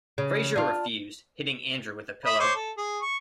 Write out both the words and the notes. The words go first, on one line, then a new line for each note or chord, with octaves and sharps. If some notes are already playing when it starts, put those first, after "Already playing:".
Fraser refused, hitting Andrew with a pillow.
C#3
D4 F4
E5 B5 D#6
C5 C#5 D6
A4
G#4
C#6